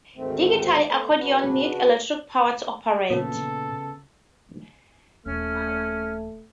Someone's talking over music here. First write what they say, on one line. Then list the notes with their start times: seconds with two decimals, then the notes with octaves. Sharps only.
Digital accordions need electric power to operate.
0.16 D2 G#2 D#3 A3 C4
0.88 A3 B3 C5
1.19 C#3 D4 F#4 B4
3.10 A#2 C#3 B3 A4
5.26 D#1 E3 A3 C#4 F6